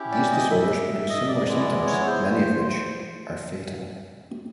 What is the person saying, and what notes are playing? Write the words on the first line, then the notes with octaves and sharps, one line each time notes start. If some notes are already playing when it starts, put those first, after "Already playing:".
These disorders produce similar symptoms, many of which are fatal.
Already playing: C#4 E4 G4
D5
D#5
E5
D#5
D5
G#3 B3 E4
C#5
C#5
C5